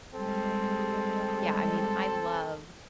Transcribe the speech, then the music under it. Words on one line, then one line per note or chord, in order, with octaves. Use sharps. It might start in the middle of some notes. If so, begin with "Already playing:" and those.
yeah, I mean, I love
G3 G#3 C4 A4